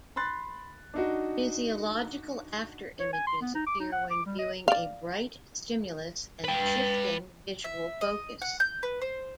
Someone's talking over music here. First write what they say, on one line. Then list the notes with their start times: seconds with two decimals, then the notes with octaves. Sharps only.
Physiological afterimages appear when viewing a bright stimulus and shifting visual focus.
0.16 B5 C6 F#6 A6
0.94 D4 D#4 F#4
3.00 C#5
3.13 G#5
3.27 C6
3.41 B3
3.55 D#4
3.67 D6
3.80 D#4
3.92 F#5
4.10 D6
4.26 G3
4.39 D#5
4.68 D5 F5
6.44 B4 G5
7.64 E5
8.01 D#5
8.42 F#5
8.60 G6
8.83 B4
9.02 C5